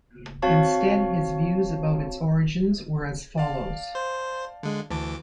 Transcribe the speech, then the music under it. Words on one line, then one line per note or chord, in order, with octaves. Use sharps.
Instead his views about its origins were as follows.
C4 F#4 C#5 F5 A5 C#6
D5 F5 A5
C5
D3 G#3
D2 E3 A5 D6